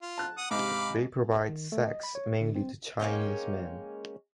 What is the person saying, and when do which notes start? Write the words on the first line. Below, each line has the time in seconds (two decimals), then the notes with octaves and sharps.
They provide sex mainly to Chinese men.
0.02 F4
0.18 A5 F#6
0.38 F#5 D#6
0.51 G#2 C3 F5 B5 D6
1.49 D#3
1.72 A3
1.86 D#5
2.03 B5
2.15 C#5
2.41 D3
2.55 C4
2.99 G#3 A#3 C#4 G5